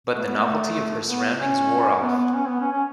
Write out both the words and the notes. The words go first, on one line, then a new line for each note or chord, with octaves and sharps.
But the novelty of her surroundings wore off.
A3
B3
A3
B3
C#4
B3
B3
C#4
B3
C#4
C#4